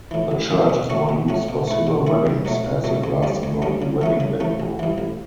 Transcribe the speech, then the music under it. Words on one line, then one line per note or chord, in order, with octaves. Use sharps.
The church is now used for civil weddings as the Glastonbury Wedding Venue.
A2 E3
A1
A2 E3
B2
A3 C#4 F#4
B2
A3 C#4 F#4
B2
A3 E4
B2
A3 E4
B1
B2 F#3 A3
B1
B2 F#3 A3
D2
D3 G3 C#4
D2
D3 G3 C#4
C#3
E3 A3 C#4
C#3
E3 A3 C#4
A1
G2 E3
A1